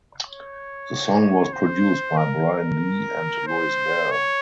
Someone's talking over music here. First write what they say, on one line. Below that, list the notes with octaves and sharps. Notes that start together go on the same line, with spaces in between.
The song was produced by Brian Lee and Louis Bell.
C#5
C5
A#4
C5
C#5